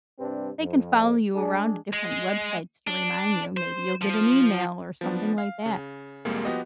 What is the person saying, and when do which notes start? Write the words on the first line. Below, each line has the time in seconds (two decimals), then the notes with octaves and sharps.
they can follow you around to different websites to remind you, maybe you'll get an email or something like that,
0.18 G2 C3 G3 C4 D4 B4
0.60 F2
1.35 G#3 D4 G#4
1.93 G#3
2.87 D4
3.57 C5
4.02 F3
5.01 F3 B3 D4
5.38 F5
5.66 C#3
6.25 C2 F2 G3 G#3 A#3
6.45 F3 B3 F#4 G4 D#5